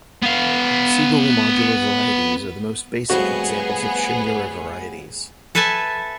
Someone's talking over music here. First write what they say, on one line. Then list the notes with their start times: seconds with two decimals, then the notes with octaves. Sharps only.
Siegel modular varieties are the most basic examples of Shimura varieties.
0.23 B3 F5
3.10 F2 A2 G3 B3 F#4 G#4
5.55 A4 B4 E5 G#5 A5